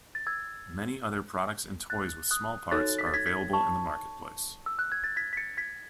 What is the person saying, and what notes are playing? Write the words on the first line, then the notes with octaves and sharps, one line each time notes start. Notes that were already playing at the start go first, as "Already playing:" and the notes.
Many other products and toys with small parts are available in the market place.
A6
E6 G#6
F#6 A6
D#6 F#6
D#4 F#4 A4 C#5 F#6 A6
B6
A6
G#6 B6
G#6 B6
A5 C#6
E6
F#6
G#6
A6
G#6 B6
B6
A6 C#7
G#6 B6